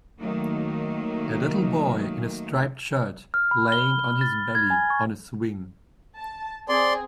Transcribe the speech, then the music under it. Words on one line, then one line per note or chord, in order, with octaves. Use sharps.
A little boy in a striped shirt laying on his belly on a swing.
D#3 F#3 A3 A#3
F6
B5
G7
A6
G#6
G#5
C#6
A5
C4 G#4 D5 C6